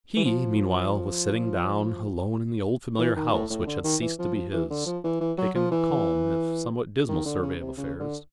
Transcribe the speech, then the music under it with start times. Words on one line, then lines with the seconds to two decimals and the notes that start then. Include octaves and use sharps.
He, meanwhile, was sitting down alone in the old familiar house which had ceased to be his, taking a calm if somewhat dismal survey of affairs.
0.17 E3
0.25 F3
2.99 E3
3.16 D#3
3.33 A2
3.50 A2
3.67 D3
3.84 D#3
4.02 E3
4.19 F3
4.35 F3
4.53 E3
4.70 D3
4.86 F3
5.04 E3
5.21 E3
5.38 F#3
5.55 F3
5.71 E3
7.09 D#3
7.25 D3
7.42 C#3
7.60 C3
7.77 C#3
8.00 D3